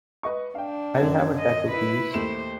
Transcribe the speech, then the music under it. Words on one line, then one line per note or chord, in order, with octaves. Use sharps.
I'll have a Taco, please.
B4 D#5 C#6
D4 F5 G5
F#2 D3 G#6
D#5
E4 B4
D#2 A3 C5 E7